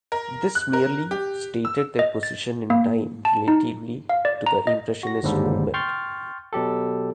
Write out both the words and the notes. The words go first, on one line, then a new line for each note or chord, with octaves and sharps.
This merely stated their position in time relatively to the Impressionist movement.
A#4
F#6
A#4
G4
E6
D#5
A6
A#3
A5
D#4
F5
D5
A#5
D#5
F#4 A#6
G1 D#2 G#2 D3 G3 A4
G5 C6 C#6 F6 G6 A6
B2 F#3 G4 A4